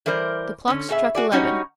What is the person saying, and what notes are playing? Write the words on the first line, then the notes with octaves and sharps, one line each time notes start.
The clock struck eleven.
E3 G3 A#4 C5 D5
D3 C#4
B2 G#4 E5
F#4 G#4 D5
G3 C#4 D#4 F#4